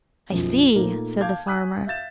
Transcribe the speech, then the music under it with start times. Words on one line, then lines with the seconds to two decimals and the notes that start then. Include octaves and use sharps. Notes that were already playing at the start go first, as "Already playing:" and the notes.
"I see," said the farmer.
0.32 B1 F#2 F3
0.75 A#2 A3 A#3 D#4
1.21 F5 A5 D6 G6 G#6
1.46 G#5 D#6 F#6 B6
1.87 E5 F5 G6 A6 E7